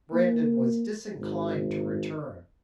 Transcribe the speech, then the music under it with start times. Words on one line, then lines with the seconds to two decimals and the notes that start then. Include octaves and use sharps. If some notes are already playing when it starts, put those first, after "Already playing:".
Brandon was disinclined to return.
0.13 A#3
1.15 G#1